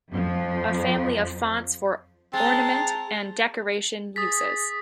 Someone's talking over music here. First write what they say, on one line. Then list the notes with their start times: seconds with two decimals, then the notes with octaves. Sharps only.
A family of fonts for ornament and decoration uses.
0.10 F2 F3
2.33 G#3 C4 A5 A#5
4.16 G#4 D#6 A6 B6